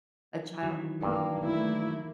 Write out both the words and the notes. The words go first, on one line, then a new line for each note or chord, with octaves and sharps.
a child involved.
D#3 E3 F#3
G2 A#3
A3 A#3 E4